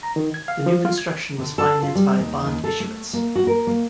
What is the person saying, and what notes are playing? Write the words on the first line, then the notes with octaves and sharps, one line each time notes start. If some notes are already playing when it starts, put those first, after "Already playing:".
The new construction was financed by a bond issuance.
A#5
D#3
G#6
F5
F3
F4
G#6
D3
A4
F4
G3
D#2
D#2
A4
A3
A#3
F#4
A#4
A#3